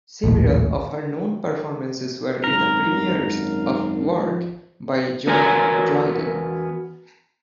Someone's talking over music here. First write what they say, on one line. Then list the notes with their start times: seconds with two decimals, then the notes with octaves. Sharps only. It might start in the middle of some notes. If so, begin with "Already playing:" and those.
Several of her known performances were in the premieres of work by John Dryden.
0.24 A#1 D#2 A2
2.44 G#1 F#2 A#4
4.21 F3
5.27 E2 B3 F#4 A#4 G#5 A#5